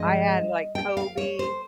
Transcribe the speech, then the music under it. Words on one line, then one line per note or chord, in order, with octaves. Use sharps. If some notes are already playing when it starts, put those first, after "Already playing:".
I add, like, Colby
Already playing: G2 F3 G#3 D#5
G5
F5
C#5
C5